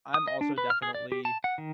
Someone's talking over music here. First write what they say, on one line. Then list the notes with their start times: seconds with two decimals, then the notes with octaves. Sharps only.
I'm also definitely
0.14 D#6
0.28 D#5
0.41 D4
0.58 B4
0.70 F6
0.82 G#4
0.95 D5
1.12 G4
1.25 A5
1.44 F#5
1.58 D#3